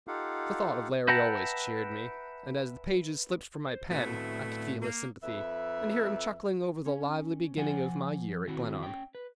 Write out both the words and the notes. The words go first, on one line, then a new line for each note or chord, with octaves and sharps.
The thought of Larry always cheered me, and as the pages slipped from my pen I could feel his sympathy and hear him chuckling over the lively beginning of my year at Glenarm.
D#4 F4 G4 A4 F5 F#5
B4 E5 F#5 G5 A5 A#5
C5
A2 A3 B3 C4 E4 F#4
A#3
F2 B4 E5
C#4
F3 F#5 G#5
D#3 C4 E4 F#4
C#4 G5
B4